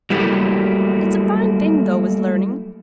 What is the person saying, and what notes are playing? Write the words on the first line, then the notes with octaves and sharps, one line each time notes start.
'It's a fine thing, tho', is learning.
F#3 G3 A3 A#3 E4 G4